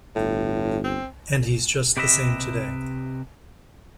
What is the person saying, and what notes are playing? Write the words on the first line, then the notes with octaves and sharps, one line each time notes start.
And he's just the same today.
G1 A2
C4
C3 G4 B4 D#5 E5